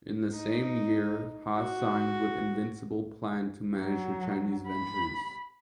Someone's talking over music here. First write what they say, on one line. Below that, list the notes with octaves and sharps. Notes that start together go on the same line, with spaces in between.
In the same year, Ha signed with Invincible Plan to manage her Chinese ventures.
D#4
F#4
F#3
B5